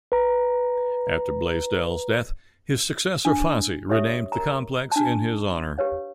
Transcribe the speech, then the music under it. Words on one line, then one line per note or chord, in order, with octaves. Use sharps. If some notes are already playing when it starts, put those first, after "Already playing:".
After Blaisdell's death, his successor Fasi renamed the complex in his honor.
B4 A#5
D4
G4 C#5 E5 D#6
A#4 A#5
D4 A5
G4 B4 C#5 F5